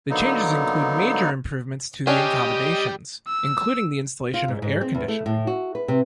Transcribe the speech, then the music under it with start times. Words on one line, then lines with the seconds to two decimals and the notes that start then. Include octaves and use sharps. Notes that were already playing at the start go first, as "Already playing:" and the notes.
The changes included major improvements to the accommodation, including the installation of air conditioning.
0.10 D3 F#3 A#3 B3 D#4
2.07 G3 C#4 D4 G4 D#5
3.27 E6
4.34 F4
4.48 G#2
4.62 G#2
4.81 C4
4.94 E2
5.08 A3
5.26 A2
5.47 F#4
5.75 B4
5.88 C3